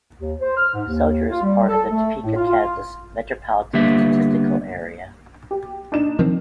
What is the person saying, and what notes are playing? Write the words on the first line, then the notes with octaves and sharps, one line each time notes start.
Soldier is part of the Topeka, Kansas Metropolitan Statistical Area.
D#2
C5
F6
G#2
D#2
F4
G3
A4
A3
A2
F4
F4
D3 G3 A#3 B3 E5
G4
D4 D#4 E7
D#3 F3 C4